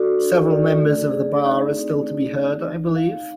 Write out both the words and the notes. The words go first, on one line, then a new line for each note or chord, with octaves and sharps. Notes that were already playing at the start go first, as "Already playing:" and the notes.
Several members of the bar are still to be heard, I believe?
Already playing: D4 F#4 A4 D5
D4
D5
A3
G#4
D#4
C4
A3
G#4
D#4
F5